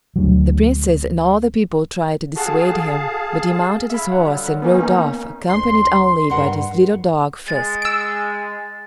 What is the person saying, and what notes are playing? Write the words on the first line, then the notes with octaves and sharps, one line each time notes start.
The Princess and all the people tried to dissuade him, but he mounted his horse and rode off, accompanied only by his little dog, Frisk.
D2 F#3
F#4 G#4 A4 F5 F#5 A5
E5 F5 B5
D3 F#3 G3 F#5
D#3 A#3 B3 C#4 D#4
D2 C6
G2 A#4 F#5
G#3 A6
E6 D7